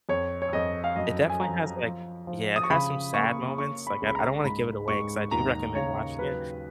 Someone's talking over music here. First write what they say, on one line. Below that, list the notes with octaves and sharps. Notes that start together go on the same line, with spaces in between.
um. It definitely has, like Yeah, it has some sad moments, like, I I don't wanna give it away 'cause I do recommend watching it
F2 C#5
C#5
F2 D#5
F5
F#2 D#5
G#5
F3 A#5
F3
F3
D#6
C#6
C#3 B5
A#3 C#6
C#4 C#6
B5
C#2
B5
A#5
G#2 B5
G#2 C#6
D#2 A#5
C#3 C#5
F#3 B4